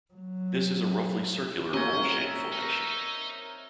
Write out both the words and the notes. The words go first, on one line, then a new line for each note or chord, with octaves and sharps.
This is a roughly circular, bowl-shaped formation.
F#3
F#3 A#3 C4 C#4 A#4 C#5 D#5 E5
D#4